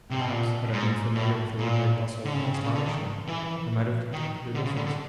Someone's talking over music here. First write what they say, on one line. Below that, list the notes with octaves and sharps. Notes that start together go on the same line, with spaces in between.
Perhaps, had I been familiar with the ordinary bustle of the establishment, I might have detected a difference.
C3
B2
A#2
G#2
A2
A#2
D3
C#3
C3
C#3
C#3
D3
D#3
E3
D#3
D3
C#3
D3
D3